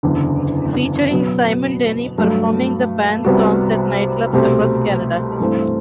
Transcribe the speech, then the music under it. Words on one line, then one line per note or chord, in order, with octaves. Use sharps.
Featuring Simone Denny, performing the band's songs at nightclubs across Canada.
F#1 E2 D3
B2 F#3 B3
G2 F#3 A3
C2 C3 G3 B3 F#4
C2 B2 A3 C4 G4
G2 E3 A3 C4